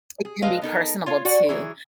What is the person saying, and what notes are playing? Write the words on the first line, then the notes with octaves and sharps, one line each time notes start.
It can be personable too.
G#4
A2 G#3 B4 D#5 F5
B3 D#4 A4 A#4
F4 C#5 F5
F#4 D5 F#5 G#5
E3 F#3 G#4